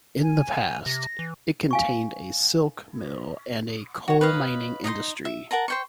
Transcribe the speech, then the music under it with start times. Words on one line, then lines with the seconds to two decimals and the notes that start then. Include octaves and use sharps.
In the past, it contained a silk mill and a coal mining industry.
0.22 G#5
0.86 C3 A#6
1.19 E3
1.71 F5 G#5 C#6
4.08 F#4 C#5
4.21 B4 C#5 D#5 F5
4.84 D#4 D#5 G5 C6
5.25 E5
5.51 A#4 F#5 A5 A#5
5.68 C5 G5 C#6